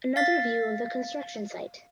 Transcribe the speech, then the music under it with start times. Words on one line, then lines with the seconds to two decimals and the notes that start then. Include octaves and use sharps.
Another view of the construction site.
0.16 F5 A6 B6